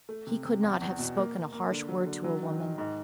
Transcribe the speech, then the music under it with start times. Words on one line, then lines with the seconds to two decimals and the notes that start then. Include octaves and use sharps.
He could not have spoken a harsh word to a woman.
0.09 A3
0.27 C3
0.45 C3
0.63 E2
0.81 E2
0.99 B2
1.17 A#3
1.35 A#3
1.52 A#3
1.70 D3
1.88 F#3
2.06 D3
2.24 F#3
2.42 D#3
2.61 D#3
2.78 G#2